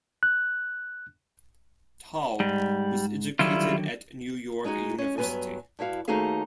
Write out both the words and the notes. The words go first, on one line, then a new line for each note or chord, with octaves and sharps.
Taub was educated at New York University.
F#6
G#2 G3
D3 D#3 F#3 G3 E4 F4
G#3 D#4 F4 F#4 G#4
C#4
G2 F#3 B3 F4 B4 G#5
G2 E4 F#4 F5
D#2 A3 D#4 F#4 G#4 F5